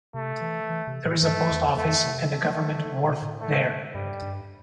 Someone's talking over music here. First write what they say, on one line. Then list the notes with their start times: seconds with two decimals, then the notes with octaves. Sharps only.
There is a post office and a government wharf there.
0.14 C3 A3
0.41 E3
0.69 E3
0.87 C3
1.05 A2
1.23 G2 A3
1.50 E2
1.77 F2 A3
2.04 C3
2.31 D3 A3
2.45 E3
2.58 F3
2.72 E3
2.86 D3
3.04 B2
3.22 A2
3.41 A3
3.94 G2 G3
4.22 G2